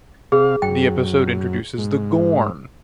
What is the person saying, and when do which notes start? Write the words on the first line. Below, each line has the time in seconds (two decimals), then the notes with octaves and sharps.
The episode introduces the Gorn.
0.32 C3 G#4 F5
0.62 F#2 G5
1.78 G#2